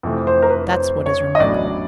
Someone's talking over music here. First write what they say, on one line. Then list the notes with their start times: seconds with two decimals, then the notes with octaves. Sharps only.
That's what is remarkable.
0.03 F2 C3 E3 A3 C4
0.27 C5
0.42 A#4
0.50 B4
0.67 C#5
0.71 C5
1.06 C#5
1.35 D#5
1.40 A1 A2 F#3 B3 D4 D5